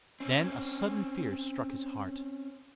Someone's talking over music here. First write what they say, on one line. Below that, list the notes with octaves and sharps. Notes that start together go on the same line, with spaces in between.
Then a sudden fear struck his heart.
C4 C#4